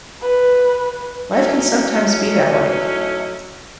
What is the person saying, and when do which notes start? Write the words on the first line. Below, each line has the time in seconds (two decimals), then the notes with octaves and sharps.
Life can sometimes be that way.
0.21 B4
1.32 F#3 A3 C#4 D#4 E4